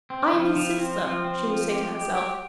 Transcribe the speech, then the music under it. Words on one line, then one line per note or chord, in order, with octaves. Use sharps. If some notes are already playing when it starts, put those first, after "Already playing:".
"I am his sister," she would say to herself.
C4
F3
F3
C4
F3
C4
F3
G4
G4
G4